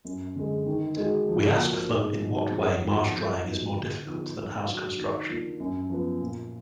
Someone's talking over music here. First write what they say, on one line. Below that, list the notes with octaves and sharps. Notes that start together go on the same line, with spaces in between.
We asked them in what way marsh drying is more difficult than house construction.
F#2
D3 G#3
D#3
G#3 D#4 F#4
F3
A#3 D4 F#4
G#2
D#3 F#3
F2
D#3 F#3 B3 F4
F3
B3 D#4 F#4
D3
F3 B3 D#4
D#3
F#3 D4 F#4
D#3
A#3 D4 F4
F#2
F3 B3
A#2